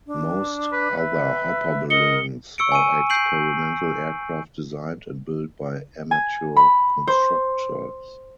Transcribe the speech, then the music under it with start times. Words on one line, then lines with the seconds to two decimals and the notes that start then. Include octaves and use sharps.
Most other hopper balloons are experimental aircraft designed and built by amateur constructors.
0.06 D4
0.72 B4
0.97 B4 E5
1.90 A#4 D#5 C#7 G7
2.58 C#6 E6 C#7 D7
2.72 G#5 C#6 D#7
3.10 G6 C7 D7 F#7
6.11 G#5
6.56 B5
7.07 C5